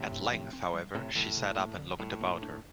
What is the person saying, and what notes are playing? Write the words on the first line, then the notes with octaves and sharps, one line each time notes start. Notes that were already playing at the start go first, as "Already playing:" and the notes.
At length, however, she sat up and looked about her.
Already playing: A2 C3 E3
G2
F3
C4
G3
A2 C3 C4
A2 E3
C3
A#3
D3
A2 G3
A#3
D4